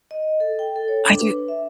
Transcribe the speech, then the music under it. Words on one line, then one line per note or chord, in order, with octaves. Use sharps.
I do
D#5
A4
G5
A4
C#5
D4
B4
E5